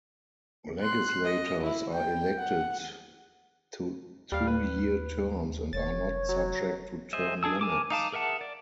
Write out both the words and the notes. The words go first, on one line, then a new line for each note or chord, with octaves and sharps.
Legislators are elected to two-year terms and are not subject to term limits.
C6 F#6
D#5
E4
G5
F#5
D#2 G3 F5 F6
B4
F1 C#5 A6
F#3
G#4 C5 D#5 E5
D4 G#4 A5 E6
A#4 G#5 A5 D6
D#4 F5 A5 D6
G#4 A#4 E5 F#5 A5
D5